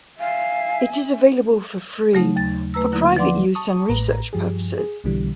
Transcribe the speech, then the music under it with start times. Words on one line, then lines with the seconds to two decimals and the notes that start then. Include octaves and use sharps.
It is available for free for private use and research purposes.
0.20 E5 F5 G#5
2.13 C#3 F#3 A3 D#4
2.36 D#2 A6
2.74 A3 B4 A#5 E6
2.92 D3 F#3 A#3 D#4 E4
3.16 F3 B4 D5 F#5 C6 D6
3.55 A5 C#6 D#6
3.90 A1 A2 B4 A#5
4.33 G2 F3 G4 G#4
4.78 G#4
5.04 B1 B2 D3 E3 G3